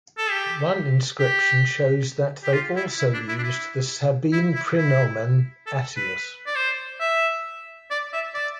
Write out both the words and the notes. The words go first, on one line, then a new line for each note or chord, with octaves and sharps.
One inscription shows that they also used the Sabine praenomen "Attius".
A4
G4
G4
G4
F4
E4
E4
D4
E4
D4
E4
E4
E4
E4
A4
B4
D5
C5
E5
D5
E5
D5